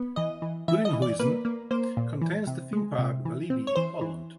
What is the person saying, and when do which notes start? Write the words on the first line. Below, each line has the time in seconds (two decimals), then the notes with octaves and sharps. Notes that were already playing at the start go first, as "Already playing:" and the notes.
Biddinghuizen contains the theme park Walibi Holland.
Already playing: B3
0.16 E3 D#5
0.42 E3
0.68 E3 E5
0.85 D#5
0.93 E3
1.02 D5
1.19 A#3 B4
1.45 A#3
1.71 A#3 C5
1.97 A#2
2.22 E3
2.47 C3
2.73 G#3
2.98 C3
3.25 E3
3.50 C4
3.67 C#5
3.75 E3 C5
4.01 E3